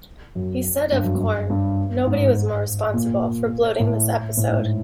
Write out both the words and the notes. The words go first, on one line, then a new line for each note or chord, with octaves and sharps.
He said of Corn, Nobody was more responsible for bloating this episode.
F#2
G2
F#2
G2
G2
G#2
A#2
A2
A2
G#2